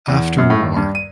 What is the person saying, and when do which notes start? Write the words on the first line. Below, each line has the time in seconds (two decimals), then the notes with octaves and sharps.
After war.
0.08 E2
0.38 F#2
0.50 A2
0.63 D#2
0.76 G2
0.95 D#7